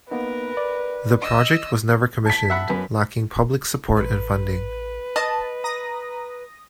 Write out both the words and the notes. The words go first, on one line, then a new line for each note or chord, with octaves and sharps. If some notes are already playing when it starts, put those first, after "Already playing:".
The project was never commissioned, lacking public support and funding.
A#3 B3 D#4 A#4 B4
D5
D#5 E6
A5 B6
E5 F#5 B5
F#2 B4
A1 B4
D#5 A5
A#5 D#6 A#6